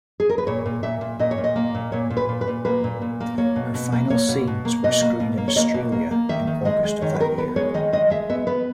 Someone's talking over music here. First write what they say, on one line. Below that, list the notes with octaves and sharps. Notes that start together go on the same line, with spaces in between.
Her final scenes were screened in Australia in August of that year.
G#4
A#4
B4
A#2 C#5
A#2
A#2 E5
A#2
A#2 D#5
C#5
A#2
D#5
A#3
A#2
A#2 C#5
A#2
B4
A#2
B4
A#2
A#3 B4
A#2
A#2
A#3
A#3 C#5
B2
B2
A#3
A#3 C#5
B2
B2
A#3
B2 D#5
A#3
B2
A#3
C#5
A#3 D#5
B2
A#3
A#3
D#3 E5
D#3
G#3 D#5
G#3
D#3 C#5
B4
B3 A#4
B3 B4
G#3 C#5
D#3 D#5
G#3 D#5
G#3 E5
B3 E5
B3 B4